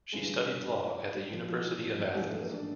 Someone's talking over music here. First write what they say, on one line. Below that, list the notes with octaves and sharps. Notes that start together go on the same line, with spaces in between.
She studied law at the University of Athens.
G1 G2 E3 G#3
G3
F3
F3
E3
F3
F#3
A#1 G#2 E3 G3
A3
A#3
D4